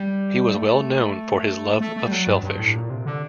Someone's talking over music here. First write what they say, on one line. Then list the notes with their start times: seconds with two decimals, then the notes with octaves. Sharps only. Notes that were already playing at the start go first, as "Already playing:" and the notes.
He was well known for his love of shellfish.
Already playing: G3
0.55 A3
1.80 A3
1.96 A3
2.07 G3
2.12 F#3
2.27 G2
2.43 G2
2.59 A2
2.75 A#2
2.90 C3
3.06 D3